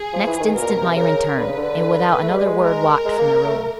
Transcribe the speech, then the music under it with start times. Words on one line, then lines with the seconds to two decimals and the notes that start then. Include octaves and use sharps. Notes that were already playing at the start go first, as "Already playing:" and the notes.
Next instant Myrin turned, and without another word walked from the room.
Already playing: G#4
0.13 F3
0.27 E3
0.40 D#3
0.55 B2 A#4
0.62 A#2
0.68 B2
0.82 C3
0.96 C#3 A#4
1.38 D3 B4
1.47 C#3
1.57 D3
2.22 A3
2.30 G#3
2.37 G3
2.46 G#3
2.63 A#4
3.05 G#3
3.19 A#3
3.47 A3